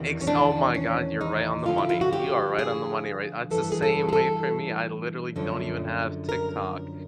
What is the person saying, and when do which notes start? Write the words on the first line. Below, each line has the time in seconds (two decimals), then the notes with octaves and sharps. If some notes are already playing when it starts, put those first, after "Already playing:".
Ex oh my god, you're right on the money, you are right on the money, right? That's the same way for me, I literally don't even have TikTok.
Already playing: E2 C3 D#3
0.21 C#4
0.27 D4
0.74 C#4
1.21 D#4
1.66 F2 D3 F3 F4
1.78 E4
1.89 F4
2.01 F#4
2.13 G4
2.59 G#4
3.51 G2 E3 A4
3.72 G#4
3.82 A4
4.09 G#4
4.13 A4
5.36 F#2 D3 F3
6.29 A#4